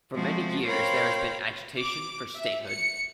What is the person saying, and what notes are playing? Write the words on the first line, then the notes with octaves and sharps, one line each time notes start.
For many years there has been agitation for statehood.
F3 G#3 A3 C4 F#4
A#4 C5 C#5 F5 G5 B5
D6
E5
C#7